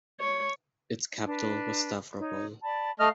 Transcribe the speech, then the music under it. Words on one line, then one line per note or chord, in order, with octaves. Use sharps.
Its capital was Stavropol.
C#5
D4 B4
D#4 C#5
D5 A5 B5
A3 D#5 F5 F6